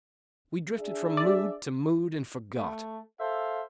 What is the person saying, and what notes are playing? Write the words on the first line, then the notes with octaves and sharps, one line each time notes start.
We drifted from mood to mood and forgot.
D4 G#4 E5
D5
A3
A4 C5 E5 F5